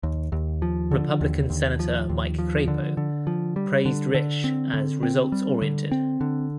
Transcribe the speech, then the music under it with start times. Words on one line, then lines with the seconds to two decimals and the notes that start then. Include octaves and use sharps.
Republican Senator Mike Crapo praised Risch as "results-oriented".
0.03 D#2
0.32 D#2
0.62 F3
0.91 D3
1.21 D#2
1.50 D#2
1.80 F3
2.09 D#2
2.39 F3
2.68 D3
2.97 D3
3.27 F3
3.56 G3
3.85 D3
4.15 D3
4.44 C4
4.74 D3
5.03 C4
5.32 G3
5.62 D3
5.91 C4
6.21 D3